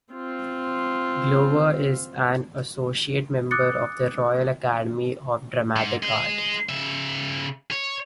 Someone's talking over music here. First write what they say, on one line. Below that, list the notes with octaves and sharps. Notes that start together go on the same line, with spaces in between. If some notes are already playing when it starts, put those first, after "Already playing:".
Glover is an Associate Member of the Royal Academy of Dramatic Art.
C4 F4
D6 D#6 F#6 A6 C#7
G#2
G#4 D#5
C#3 E5
C#5